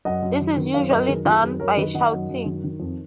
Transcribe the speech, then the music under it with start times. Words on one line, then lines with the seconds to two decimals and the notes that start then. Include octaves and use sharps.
This is usually done by shouting.
0.05 F#2 D#5 F#5
0.22 F#2
0.41 D#3
0.57 D#3
0.74 F#2 C#5 F5
0.91 F#2 B4 D#5
1.01 A#4
1.08 D#3 G#4 B4
1.25 D#3 F4 G#4
1.42 F#2 G#4 B4
1.60 F#2 A#4 C#5
1.77 D#3 B4 D#5
1.94 D#3 D#5 F#5
2.12 F#2
2.29 F#2
2.45 D#3
2.64 D#3
2.80 F2